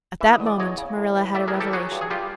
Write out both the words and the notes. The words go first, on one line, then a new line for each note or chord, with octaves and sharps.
At that moment Marilla had a revelation.
E3 E5
D#5
E2
D5
E2 C#5 D#5
C#3
A2
E3
A2 D5 E5
G#4 A#4
E3
G4 A4
F#3 F#4 G#4
G2
G#4
G2 F4 G4